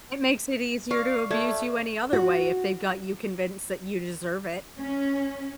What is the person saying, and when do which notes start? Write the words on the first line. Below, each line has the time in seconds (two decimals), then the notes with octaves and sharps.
It makes it easier to abuse you any other way if they've got you convinced that you deserve it.
0.91 D5 F5 C#6
1.31 A3 D5 G#6
2.13 F#4
4.81 C#4